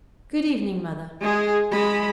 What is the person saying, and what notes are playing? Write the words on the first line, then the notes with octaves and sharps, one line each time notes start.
'Good evening, Mother.'
G#3 G#4
G#3 B5